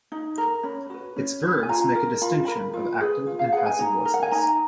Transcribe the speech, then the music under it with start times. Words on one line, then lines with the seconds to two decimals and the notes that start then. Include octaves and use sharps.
Its verbs make a distinction of active and passive voices.
0.12 D#4
0.38 A#4
0.63 C#4 B5
0.90 F#4 B4
1.16 C#4
1.43 F#4 B4
1.63 G#5
1.69 F4 A#5
1.95 A#4
2.22 F4 B5
2.45 A#4 B5
2.73 F4
3.01 G#4 B4
3.27 F4
3.39 F5
3.52 G#4 B4 F#5
3.66 G#5
3.79 D#4 A#5
4.05 A#4
4.14 F#5
4.23 G#5
4.31 D#4 A#5